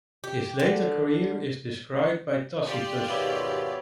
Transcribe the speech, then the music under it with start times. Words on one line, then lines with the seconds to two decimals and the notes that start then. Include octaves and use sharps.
His later career is described by Tacitus.
0.24 G4
0.60 D3
2.65 F4 G4 D5 D#6
3.09 D#2 G#2 B2 B3 C#5 E5